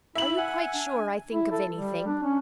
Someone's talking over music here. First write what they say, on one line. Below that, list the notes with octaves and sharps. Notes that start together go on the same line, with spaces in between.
"Are you quite sure I think of anything?"
E4 E5 F#7
F#5 G#5
D4
E4
A4
G3
D4
C#4